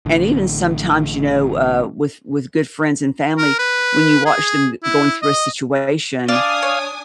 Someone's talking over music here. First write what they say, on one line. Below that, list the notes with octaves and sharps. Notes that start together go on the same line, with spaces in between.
And even sometimes, you know, uh, with with good friends and family, when you watch them g going through a situation
A1 D3
A#4
B4
G#4
E4
D#5
D4 D5 F5 G#5 D#6
C#5